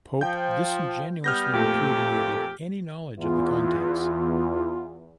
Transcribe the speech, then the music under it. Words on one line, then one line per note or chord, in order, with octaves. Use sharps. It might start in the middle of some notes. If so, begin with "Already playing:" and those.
Pope disingenuously repudiated any knowledge of the contents.
F3 G5 G6
G3 B3 F6 G6 A#6
F2 A#2 A3 G4
E2 F4